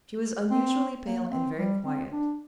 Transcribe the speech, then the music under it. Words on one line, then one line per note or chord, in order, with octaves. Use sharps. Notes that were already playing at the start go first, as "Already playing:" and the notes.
She was unusually pale and very quiet.
C4
A#3
C4
G3
C4
D4